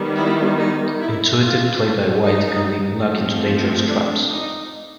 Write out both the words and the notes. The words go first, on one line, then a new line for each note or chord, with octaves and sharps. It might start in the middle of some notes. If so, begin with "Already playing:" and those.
Intuitive play by White can lead Black into dangerous traps.
Already playing: D#3 G3 B3
E4
D#4
E4
F4
D#4
F3 A3 C4
D4
D#4